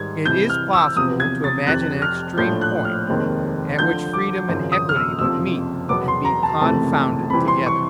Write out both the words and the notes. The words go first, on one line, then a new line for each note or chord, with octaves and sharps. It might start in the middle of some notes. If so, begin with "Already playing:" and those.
It is possible to imagine an extreme point at which freedom and equality would meet and be confounded together.
Already playing: G#2 D#3 G3 G#6
C2 C3 E3 G6
F6
E6
E2 C3 F3 D#6
G#6
A6
F1 F2 C3 F#6
F6
A#1 A2 F3 A3 D4 G6
F#6
F6
F1 D#2 D#3 G#3 C4
D2 D3 F3 G6
D6
G#1 F#2 C#3 F3
D#6
F6
E6
F#1 F2 C3 F3 E6
E1 E2 B2 F#3 B3 D6
C6
A#5
A5
F#1 F2 C3 E3 A3 A5
F2 C3 E3 G3 C4 B5
C6
C#6